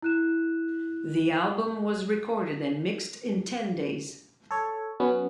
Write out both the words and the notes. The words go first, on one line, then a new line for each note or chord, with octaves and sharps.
The album was recorded and mixed in ten days.
E4 F#6 E7
A4 C#5
F#3 B3 C#4